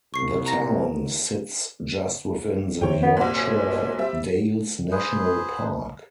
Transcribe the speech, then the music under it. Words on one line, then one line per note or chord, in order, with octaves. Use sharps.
The town sits just within the Yorkshire Dales National Park.
C2 C#6 C7
A#5 A#6
D#2
F2 C3 D#3 C#5 G5
B3
C2 A#2 C4 F#5
F#2 C5 G#5
G3 C4 E5
G#4 B4 C5